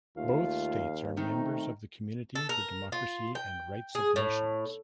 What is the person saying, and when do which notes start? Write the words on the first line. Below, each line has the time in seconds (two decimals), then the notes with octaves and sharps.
Both states are members of the Community for Democracy and Rights of Nations.
0.17 D#2 A3 F4 F5
1.17 G#2 D#3 A3 C4 D#4
2.35 A4
2.49 A#4
2.92 F4
3.35 G5
3.95 G#4
4.16 A2